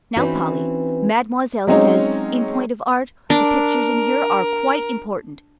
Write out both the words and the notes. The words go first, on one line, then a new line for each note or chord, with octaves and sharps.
"Now, Polly, Mademoiselle says, in point of art, the pictures in here are quite important."
E3 C4 C#4 D#4 F#4 B4
F#3 G#3 C4 C#4 D#4
D4 A#4